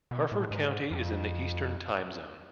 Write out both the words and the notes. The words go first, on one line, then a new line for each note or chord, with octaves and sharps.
Harford County is in the Eastern Time Zone.
B2
A2
G#2
F2